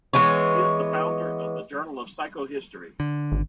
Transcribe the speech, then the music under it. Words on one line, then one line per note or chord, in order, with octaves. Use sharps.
He is the founder of "The Journal of Psychohistory".
E3 G#3 B3 C#5
D3
G#1